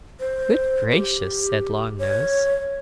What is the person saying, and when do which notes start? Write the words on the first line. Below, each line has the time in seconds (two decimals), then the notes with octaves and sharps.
'Good gracious!' said Long Nose.
0.20 C5
0.91 G4
1.99 C#5